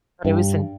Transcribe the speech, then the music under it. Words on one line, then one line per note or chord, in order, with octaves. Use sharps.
But it was in
G2